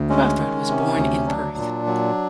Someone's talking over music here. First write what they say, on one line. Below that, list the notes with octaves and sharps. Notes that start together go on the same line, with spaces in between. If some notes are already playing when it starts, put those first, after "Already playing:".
Crawford was born in Perth.
Already playing: D2
G#3 C#4
D#3
C3
D2
F#3 D4
A#2
F#3